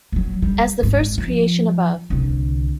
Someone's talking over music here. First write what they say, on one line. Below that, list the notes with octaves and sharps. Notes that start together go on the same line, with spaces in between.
As the first creation above.
A#1 F#3
G3
G#1 G#2
F3
C2 D3